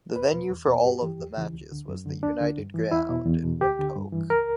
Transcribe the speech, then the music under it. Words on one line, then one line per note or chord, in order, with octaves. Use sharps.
The venue for all of the matches was the United Ground in Windhoek.
E2 B4
B2
E2
B2
G2 G4
E3
E2
C#3 E3
D2
D3
F#2
D3
D2 D4
D3
G2
E3
E2 E4
B2
E2
B2
D2 G4
D3
G2
E3
C#2 A#4